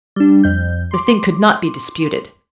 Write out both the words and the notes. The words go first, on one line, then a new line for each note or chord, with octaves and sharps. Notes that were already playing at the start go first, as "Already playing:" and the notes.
The thing could not be disputed.
G3 D4
F2 G6
C6 D6